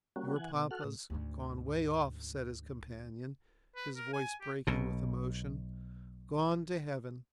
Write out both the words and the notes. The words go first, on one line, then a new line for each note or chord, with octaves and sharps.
"Your papa's gone 'way off"--said his companion, his voice breaking with emotion--"gone to heaven."
G3 A#3 C#4 F#4
E3 F#5 G#5
B2
F#4 A4 F#5 F6
A2
D2 G#2
B4
A#4
G#5
G4
B1 B2